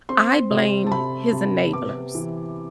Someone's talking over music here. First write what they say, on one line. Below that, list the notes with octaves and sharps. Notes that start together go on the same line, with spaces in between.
I blame his enablers
C4 C6
C3
A5
C3 B5
C3
B3 D6
E3